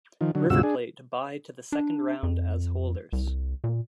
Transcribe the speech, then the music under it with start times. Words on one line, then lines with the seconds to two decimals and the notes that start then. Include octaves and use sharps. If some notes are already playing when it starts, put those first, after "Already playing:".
River Plate bye to the second round as holders.
0.21 D#3 F3
0.35 D3 F#3
0.50 D2 G#2 C3 F4 F#4 E6
0.63 D4 G#4
1.72 D4
2.23 F2
3.13 C2
3.64 A#2